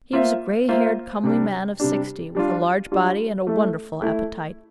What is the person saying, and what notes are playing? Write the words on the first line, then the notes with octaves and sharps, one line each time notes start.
He was a grey-haired comely man of sixty, with a large body and a wonderful appetite.
A#3 F4 C5 E5
A#3 F4 C5 E5
C3 G3 D4
C3 G3 D4
G3 D4 F4
G3 D4 F4
A3 E4 A4 E5
A3 E4 A4 E5